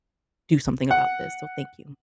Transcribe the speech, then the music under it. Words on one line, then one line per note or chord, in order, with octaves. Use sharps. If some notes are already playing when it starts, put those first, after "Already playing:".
do something about this, so thank you.
F#5